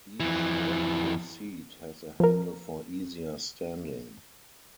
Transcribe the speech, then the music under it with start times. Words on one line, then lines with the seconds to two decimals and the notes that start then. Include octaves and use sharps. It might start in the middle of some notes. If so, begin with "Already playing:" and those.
Each vertical seat has a handle for easier standing.
0.20 F2 E3
2.20 F3 A#4